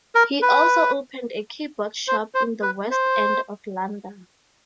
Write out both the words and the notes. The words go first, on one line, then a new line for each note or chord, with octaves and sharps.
He also opened a keyboard shop in the West End of London.
A#4
B4
C5
C5
B4
C5